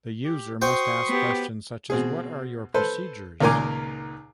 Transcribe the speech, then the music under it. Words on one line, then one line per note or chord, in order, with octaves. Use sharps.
The user must ask questions such as, What are your procedures?
G4
F#4 C5 G5 C6 C#6 D#6
B3 G4
B2 C4 G#4
A4 B4 C5
C#2 A#2 D#3 A#4 G#5 D6